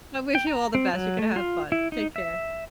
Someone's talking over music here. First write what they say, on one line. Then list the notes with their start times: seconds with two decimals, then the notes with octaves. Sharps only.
I wish you all the best, you gonna have fun. Take care.
0.35 G5
0.47 A#5
0.75 C4
0.93 F#3
1.19 A3
1.36 F4
1.72 E4
1.92 D#4
2.16 E5